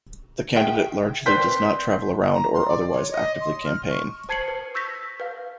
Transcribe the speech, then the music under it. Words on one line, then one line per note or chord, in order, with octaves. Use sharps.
The candidate largely does not travel around or otherwise actively campaign.
G#4 E5 G5
C4 B4 D5 C6 G6 B6
A#5
C6
D5
C#5
D#5
C6
F6
C#6
C5 A5 G#6 C7 C#7 F#7
B4
C#6 E6 G6 A#6 B6
B4 F5